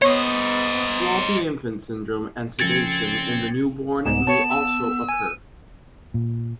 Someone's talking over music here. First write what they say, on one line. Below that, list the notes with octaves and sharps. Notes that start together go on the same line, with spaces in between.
Floppy infant syndrome and sedation in the newborn may also occur.
B3 C5 C#5 D#5
C#3 F3 A3 C4 G#6 A6 C#7
C2 G#2 B3 E7
C#5 A5
E6
G#5 D#7
A#2